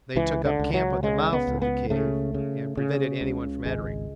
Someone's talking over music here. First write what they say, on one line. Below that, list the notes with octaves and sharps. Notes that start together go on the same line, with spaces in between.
They took up camp at the mouth of the cave and prevented everyone from entering.
C#2 E3
D3
C#2
F#3
C#3 G#3
B3
C#2
B3
C#3 A3
C#3
C#3
C#2
G#1 G#3